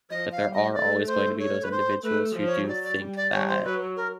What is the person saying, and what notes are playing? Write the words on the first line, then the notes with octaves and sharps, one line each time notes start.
but there are always going to be those individuals who do think that
F3 D#5
F5
G3
D#5
A3 D5
C5
C#5
B4
C5
A3 B4
F3
C#5
F#3 D5
D5
G3
D5
G3 C#5
C5
F#3 B4
A#4